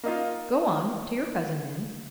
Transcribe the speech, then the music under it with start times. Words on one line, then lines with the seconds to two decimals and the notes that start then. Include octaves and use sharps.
"Go on, to your cousin, then!"
0.03 A#3 D#4 F4